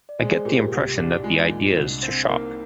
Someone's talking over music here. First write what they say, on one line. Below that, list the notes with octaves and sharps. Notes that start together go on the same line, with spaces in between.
I get the impression that the idea is to shock.
D5
G#3 G#4 C5
G#4 C5
A#2 G4 A#4
G4
C2 G4
D4
G#3 F4
D#4
F4
A#2
C2 D4
C4
A#3 D#4